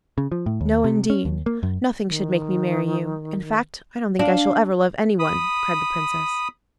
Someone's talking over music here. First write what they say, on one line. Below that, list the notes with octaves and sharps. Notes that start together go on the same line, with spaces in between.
'No, indeed; nothing should make me marry you; in fact, I don't think I shall ever love anyone,' cried the Princess.
C#3
F3
A2
D#2
C3
C#4
D#2
A#3
F#2
D#3
D4 F5
B5 D#6